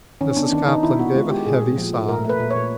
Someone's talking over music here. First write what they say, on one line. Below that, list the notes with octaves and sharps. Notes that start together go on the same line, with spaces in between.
Mrs. Caplin gave a heavy sigh.
D#3 C#4
B3 D4
D#3 D4
D#3 D#4
D#3 E4
B3 F#4
G#3 F4
G#3 G4
A#2 G#4
A#2
F3
A3
A#2 A#4
A3 B4
A#2
C#5
A#2